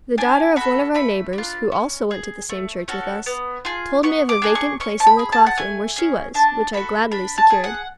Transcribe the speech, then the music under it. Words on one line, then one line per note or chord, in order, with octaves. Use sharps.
The daughter of one of our neighbors, who also went to the same church with us, told me of a vacant place in the cloth-room, where she was, which I gladly secured.
D4 G#5
F#4 A4 B5
A3 B5
D4
F4
C#4
G#4
A3
C#4 F#4 A4
B3
F4 G#4
B3 C#6
D6
D4 G#4
C#6
C#4 C#6
A5
B5
G#4
A5
F#5
A3 G#5
C#4 G#4
D4 A5
F#4 A4 B5
D4 B5
A5
G#4
F#5